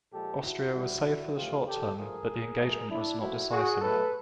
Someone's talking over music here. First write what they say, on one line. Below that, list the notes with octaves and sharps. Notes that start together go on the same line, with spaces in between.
Austria was saved for the short term, but the engagement was not decisive.
A#2 F3 G#3 G4 A4
E4 F#4
A2 E3 G3
A#2 F3 A3 F4 G4
G4 A4
D3 F3 A3 G#4 A#4
A2 F#3 A3
D4 E4
A#2 F3 A3 E4 F#4
F#4 G#4
B2 F#3 A3 A4 B4